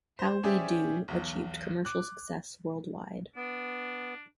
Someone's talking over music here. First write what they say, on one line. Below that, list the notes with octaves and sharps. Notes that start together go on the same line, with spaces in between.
"How We Do" achieved commercial success worldwide.
C5
C#4 G4 G#4 C5 D5 E5
B1 E2
D6 F#6
B3 D4